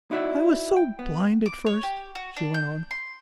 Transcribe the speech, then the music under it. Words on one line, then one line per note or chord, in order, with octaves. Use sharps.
"I was so blind at first!" she went on.
D#4 E4 F#4 D5 E5
G5
B3
D6
C#5
G4
F#4
D4
G6
C6